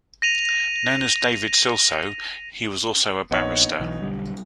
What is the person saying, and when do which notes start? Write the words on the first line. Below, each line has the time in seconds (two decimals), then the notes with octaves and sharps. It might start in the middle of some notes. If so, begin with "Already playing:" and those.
Known as David Silsoe, he was also a barrister.
0.22 A#6 D#7 F7
3.31 A#1 B3 D#4 C#5
3.80 B1 E3
4.02 B1 D3 G3